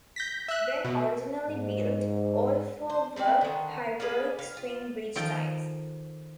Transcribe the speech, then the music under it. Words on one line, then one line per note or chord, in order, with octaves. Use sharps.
When originally built, all four were hydraulic swing bridge types.
G6 A#6 B6
E5 F#6
B2
G#2
C5
G3 C4 E4 D5
D3 D#3
G#4 B4 D5 F5
F5
F4
D#3 F3 A4 G5